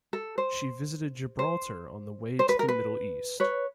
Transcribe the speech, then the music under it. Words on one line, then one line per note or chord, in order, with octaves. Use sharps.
She visited Gibraltar on the way to the Middle East.
A4
C5
C5
C5
B4
A#4
B4
B4 C#5